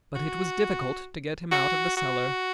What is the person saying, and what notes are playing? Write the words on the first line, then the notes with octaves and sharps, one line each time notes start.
But it was difficult to get him out of the cellar.
F#4
F#4
F#4